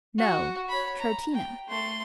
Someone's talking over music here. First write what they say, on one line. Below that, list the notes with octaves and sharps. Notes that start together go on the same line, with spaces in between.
"No, Troutina."
F#4
C#5 B5
A#5
G5
A3 C6